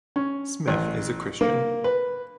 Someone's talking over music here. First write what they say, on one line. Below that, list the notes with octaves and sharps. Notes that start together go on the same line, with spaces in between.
Smith is a Christian.
C#4
A1
A#3
B4